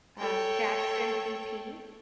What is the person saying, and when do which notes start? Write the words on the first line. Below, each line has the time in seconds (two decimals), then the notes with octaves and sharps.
um, Jackson VP.
0.17 A4 C#5 G5